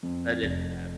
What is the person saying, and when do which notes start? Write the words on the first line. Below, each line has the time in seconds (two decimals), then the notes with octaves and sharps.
That is sad.
0.03 F2
0.43 F1